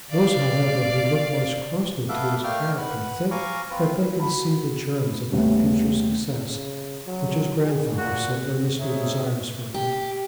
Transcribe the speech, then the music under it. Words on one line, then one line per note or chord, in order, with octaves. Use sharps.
Those, however, who look most closely to his character think that they can see the germs of that future success which his grandfather so earnestly desires for him.
D5 F5
B3 A4 E5 F5 D6 F#6
A3 A#3 D5 F5 G5 F6
B4 F#5
F5 G#5 A#5 C#6 D6
C4 F4 B4
F#4 B5
D#2 G3 A3 B3 C#4
C#3
F#3
G#4
A#2 F#4
D#4 G#4 C5 C#5 D#5 E5
G4